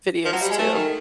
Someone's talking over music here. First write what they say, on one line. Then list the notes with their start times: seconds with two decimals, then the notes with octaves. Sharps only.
videos, too.
0.25 F3
0.33 F#3
0.42 G3
0.51 G#3
0.59 A3
0.74 D#3